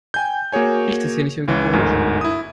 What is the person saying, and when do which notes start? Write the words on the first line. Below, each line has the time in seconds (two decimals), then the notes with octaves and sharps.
Riecht es hier nicht irgendwie komisch?
0.14 G5 G#5 G6
0.52 A#3 F#4 G#4 C#5 G#5
1.48 C#2 E3 C#4
1.73 G1 D2 G#2 A#4
2.21 E4 D#6